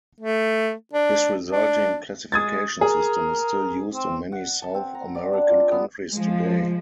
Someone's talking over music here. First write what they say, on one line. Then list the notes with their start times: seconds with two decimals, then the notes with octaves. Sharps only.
His resulting classification system is still used in many South American countries today.
0.20 A3
0.93 D4
1.52 D4
2.32 G#3 D#6 G#6 A6
2.81 G#4 A#4
3.94 C4
4.32 F#5
4.62 A5
4.74 C4
4.95 A#5
5.15 D5
5.33 D4
5.49 F4
5.71 B3
6.12 F3 G#3